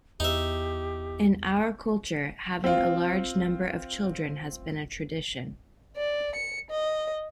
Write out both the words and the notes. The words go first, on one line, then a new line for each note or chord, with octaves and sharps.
In our culture, having a large number of children has been a tradition.
E2 D#4 G4 E5
C4 F4
D5
C#7
D#5